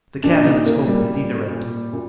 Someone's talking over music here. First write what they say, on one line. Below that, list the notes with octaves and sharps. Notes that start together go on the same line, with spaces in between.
The cabin is open at either end.
A#2 D4
D#4
A#2 A#3
G3
A#2
A#2
A#2